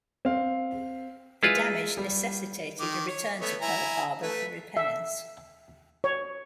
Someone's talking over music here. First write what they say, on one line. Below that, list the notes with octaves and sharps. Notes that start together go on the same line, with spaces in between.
The damage necessitated a return to Pearl Harbor for repairs.
C4 F5
G#3 E4 F4 B4
G3
D#3 D6
C#5
A3 B3 C#5
E4 G#5 A#5
A3 B4
E5
C#5